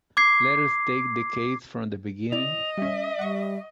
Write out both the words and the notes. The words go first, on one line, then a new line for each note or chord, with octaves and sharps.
Let us take the case from the beginning.
D6 G#6 C7
C3 E4 D5 D#5 F7
G3 C#4 E5
G3 F#5 C#6